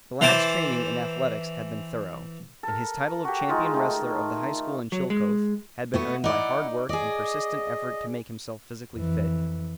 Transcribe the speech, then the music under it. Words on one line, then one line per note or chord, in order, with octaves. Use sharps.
The lad's training in athletics had been thorough, and his title of champion wrestler of the high school in Chillicothe had been earned by hard work and persistent effort to make himself physically fit.
E3 C5 A5 D6
A4 A#4
F#4 G4
G#3 D#4 F4
D#3 A3
F#3
G#3
A3 B3 F#4
D#4 E4 D5 F#5
G#4 D5 D#5
F2 E3